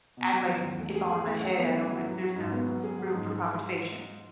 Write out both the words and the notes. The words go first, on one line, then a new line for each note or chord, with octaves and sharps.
act like it's all in my head, I don't re there's no room for conversation.
B2
F#3
F#3
E2
A3
G#4
G#4
A3
F#3
B3
E4
F#3
F#3
F#4
G#2
B3
F#3
G#4
F#3
G#2
G#3